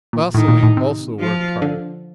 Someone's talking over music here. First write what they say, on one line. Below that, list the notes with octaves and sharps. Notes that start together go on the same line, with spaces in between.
Vasily also worked hard.
A#2
A2 D#3 D#4
A#2
A2
C3
F3 F4
D3